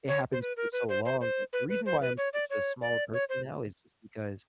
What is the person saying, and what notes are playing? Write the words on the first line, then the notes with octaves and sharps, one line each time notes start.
it happens for so long like, the reason why I'm such a small person now is just because
C#5
C5
B4
A#4
B4
C5
C5
C5
B4
B4
C5
B4
C#5
D5
C#5
D5
C#5
C5